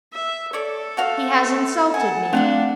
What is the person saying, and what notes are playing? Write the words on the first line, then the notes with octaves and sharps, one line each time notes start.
He has insulted me.
E5
A4 C#5 D5
A3 F#4 F5
F#5 G#5 A5
A3 C4 D4 F4 F5 F#5